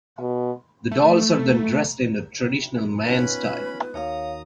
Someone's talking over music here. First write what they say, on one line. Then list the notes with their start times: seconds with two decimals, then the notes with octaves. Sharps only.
The dolls are then dressed in traditional Mayan style.
0.20 B2
0.91 A3
3.05 B3 C#4 D#4 F4 B4 B5
3.94 D#2 D#3 F#4 C#5 F5 A#5 D#6